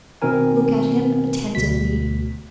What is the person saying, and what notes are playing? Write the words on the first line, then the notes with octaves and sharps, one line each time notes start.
Look at him attentively.
B2 D#3 C4 A#4 G#5
D2 B2 B6